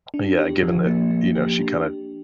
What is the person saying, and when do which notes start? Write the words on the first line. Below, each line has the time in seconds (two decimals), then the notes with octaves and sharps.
Yeah, given that, you know, she kind of
0.14 D4
0.39 G4
0.63 F3
0.86 A#3
1.10 A#3
1.35 G4
1.59 D4